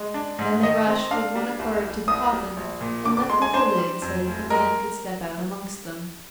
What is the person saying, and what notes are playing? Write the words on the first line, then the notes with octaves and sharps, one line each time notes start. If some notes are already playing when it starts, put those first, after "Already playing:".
Then they rushed with one accord to the coffin, and lifted the lid so that the man could step out amongst them.
Already playing: G#3
D4
G#2
D#3 D#5
C4
D4 F5
G3
C2
G3
C2 D#6
G3
A#1
A#2
D3 D6
D6
G#3 C6
G#5
D4 C5
G3
F2
F1
G#3 A#4